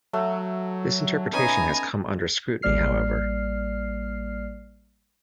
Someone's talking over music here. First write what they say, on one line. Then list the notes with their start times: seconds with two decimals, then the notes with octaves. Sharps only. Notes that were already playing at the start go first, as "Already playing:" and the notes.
This interpretation has come under scrutiny, however.
0.13 F#3 A3
1.33 B3 C#4 D#4 G#5 A#5
2.62 A1 G3 A#3 D5 F6 C7